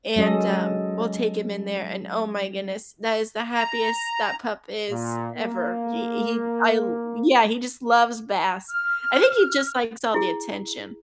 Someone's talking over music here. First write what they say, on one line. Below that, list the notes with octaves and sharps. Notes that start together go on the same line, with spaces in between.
and, um, we'll take him in there and, oh my goodness, that is the happiest that pup is ever. He he I l Yeah, he just loves baths. I think he just likes all the attention.
F#3 G#3 C#4 A4 D#5
A#5
A#2
A#3
F6
E4 G#4